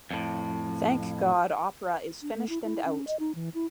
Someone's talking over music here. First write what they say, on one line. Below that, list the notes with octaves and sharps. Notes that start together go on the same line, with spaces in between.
Thank God opera is finished and out.
F2 A2
D4
A3
E4
E4
C#4
D#5
D#4
E3
E4